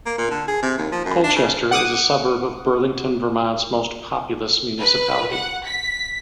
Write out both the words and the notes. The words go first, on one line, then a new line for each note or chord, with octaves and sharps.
Colchester is a suburb of Burlington-Vermont's most populous municipality.
A#3
A#2
D3
G#4
C3
D#2
F3
F#2
D4
C#3
F#5 D6 D#6
B4
F#5
B6